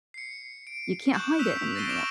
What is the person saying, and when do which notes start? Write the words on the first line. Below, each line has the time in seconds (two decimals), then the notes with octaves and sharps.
You can't hide it anymore.
0.14 C7 C#7
0.67 D7
1.13 C#6 D#6 F#6 G6 E7 F#7
1.39 D#6 E6 B6 D#7 F7
1.75 A6 A#6 C7 D7 D#7 G7
1.89 C#6 D6 F6 D7 E7 F#7